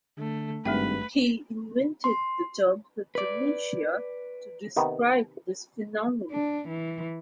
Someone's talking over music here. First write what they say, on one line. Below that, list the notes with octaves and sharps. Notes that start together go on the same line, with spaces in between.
He invented the term cryptomnesia to describe this phenomenon.
D3 A3
G#1 G2 A3 B4 E5 G5
C6
B4 D5
C3 D#3 B3
D4
E3